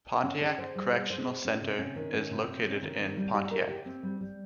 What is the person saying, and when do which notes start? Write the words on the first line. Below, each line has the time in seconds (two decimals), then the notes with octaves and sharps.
Pontiac Correctional Center is located in Pontiac.
0.23 C#4
0.41 G#4
0.58 C5
0.76 G3
0.93 G#4
1.10 C5
1.27 G#4
1.45 C#4
1.61 C3
1.79 C#4
1.96 D#3
2.13 C#4
2.31 C3
2.48 C3
2.65 C#4
2.82 D#3
3.00 C4
3.17 G3
3.34 G4
3.51 A#4
3.69 G4
3.86 C4
4.03 G3
4.21 G3